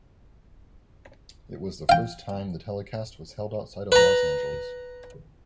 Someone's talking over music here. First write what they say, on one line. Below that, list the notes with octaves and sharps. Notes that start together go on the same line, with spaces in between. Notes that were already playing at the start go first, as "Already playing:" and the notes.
It was the first time the telecast was held outside of Los Angeles.
F5 G5
B4 A#5